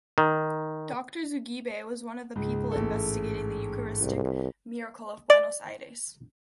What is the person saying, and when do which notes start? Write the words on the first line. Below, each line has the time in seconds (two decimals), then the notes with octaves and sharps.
Doctor Zugibe was one of the people investigating the Eucharistic miracle of Buenos Aires.
0.18 D#3
2.36 C#2 G#2 G#4
2.72 A1 A4
4.01 C2
5.30 D5